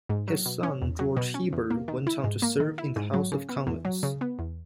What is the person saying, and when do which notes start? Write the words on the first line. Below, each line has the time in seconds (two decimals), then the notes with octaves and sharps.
His son George Heber went on to serve in the House of Commons.
0.09 G#2
0.28 F#3
0.46 B2
0.63 C#4
0.82 E2
0.99 F#3
1.17 B2
1.34 C#4
1.53 E2
1.70 A#3
1.88 D#3
2.07 E4
2.24 G#2
2.42 A#3
2.60 D#3
2.78 E4
2.96 G#2
3.14 F#3
3.32 C#3
3.49 B3
3.67 E2
3.85 F#3
4.03 C#3
4.21 B3
4.39 E2